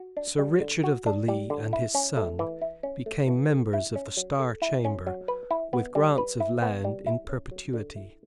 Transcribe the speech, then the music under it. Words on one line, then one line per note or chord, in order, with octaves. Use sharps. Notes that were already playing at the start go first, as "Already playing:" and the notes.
Sir Richard of the Lee and his son became members of the Star Chamber, with grants of land in perpetuity.
Already playing: F#4
D4
G3
D3
F#4
D4
G3
D3
E4
C#4
A3
E3
E4
C#4
A3
E3
A4
E4
C#4
F#3
A4
E4
C#4
F#3
B4
E4
B3
G3
B4
E4
B3
G3
E4
C#4
F#3
D3
E4